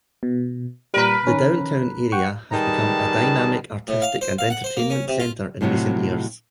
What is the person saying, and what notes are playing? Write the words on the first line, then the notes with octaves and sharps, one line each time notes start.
The downtown area has become a dynamic artistic and entertainment center in recent years.
B2
A#2 G3 A#4 B4
D#3 C#4
F#5 G5 C#6
D#3 G3 G#4 B4 A5
A2
F5
C5
F5
F#5
C5
A#3
C#4
C3
F4
F2 A2 C3 F3 F#3